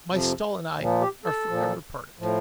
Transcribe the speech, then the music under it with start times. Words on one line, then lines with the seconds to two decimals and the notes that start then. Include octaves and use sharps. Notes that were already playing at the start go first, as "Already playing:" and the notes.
My stall and I are for ever parted.
0.09 F2 C3 F3
0.78 A#2 F3
1.01 G4
1.25 A4
1.48 A#2 F3
2.19 A2 F3